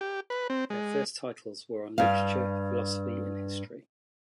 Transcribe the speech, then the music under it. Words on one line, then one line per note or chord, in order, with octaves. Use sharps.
Their first titles were on literature, philosophy and history.
G4
B4
C4
G#3
G2 F5